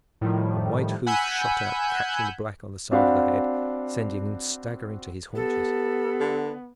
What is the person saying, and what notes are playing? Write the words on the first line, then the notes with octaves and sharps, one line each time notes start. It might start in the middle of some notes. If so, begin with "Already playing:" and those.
A white hoof shot out catching the black on the side of the head, sending him staggering to his haunches.
A2 D#3 F3 G3
F#5 G#5 B5 E6 F#6 G6
C4 D4 F#4 F5 F#5 B5
B3 G4 A4
D3